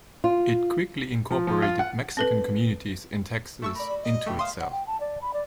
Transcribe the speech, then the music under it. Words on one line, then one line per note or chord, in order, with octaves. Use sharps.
It quickly incorporated Mexican communities in Texas into itself.
F4
F3
F3
F4
F#5
C4 A4 B4
A3 C#6 E6
A#4 D5 B5
F#4
D#5
B2 A3 B3 G4
A#2 E5 F5 C6 D#6
F#5
G5
A5
D5
B5
D5